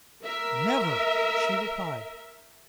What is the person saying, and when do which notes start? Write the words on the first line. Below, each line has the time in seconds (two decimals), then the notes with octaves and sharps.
Never!' she replied.
0.23 A#4 E5